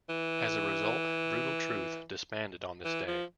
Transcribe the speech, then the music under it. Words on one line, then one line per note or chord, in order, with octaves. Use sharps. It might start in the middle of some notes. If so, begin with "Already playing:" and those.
As a result, Brutal Truth disbanded on this day.
E3
E3
F3